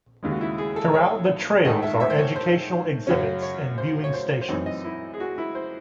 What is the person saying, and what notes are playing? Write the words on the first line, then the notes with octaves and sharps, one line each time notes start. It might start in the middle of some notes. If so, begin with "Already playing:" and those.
Throughout the trails are educational exhibits and viewing stations.
D#2 C#3 G#3
F#4
E4
G#4
A4
C#5
G#2 D#3 A3 D#4 D#5
E5
E5
C5
C#5
C5
F#2 C#3 F#3 C#4 C#5
C#5
C5
C#5
C5
C5
F#2 E3 C4 D#4 C#5
D#5
E4
G#4
F#4
E4
C5